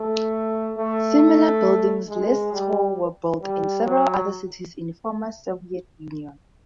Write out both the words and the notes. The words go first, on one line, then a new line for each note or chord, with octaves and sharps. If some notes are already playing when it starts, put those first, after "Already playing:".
Similar buildings less tall were built in several other cities in former Soviet Union.
Already playing: A3
A3
G#3
G3
G3
F#3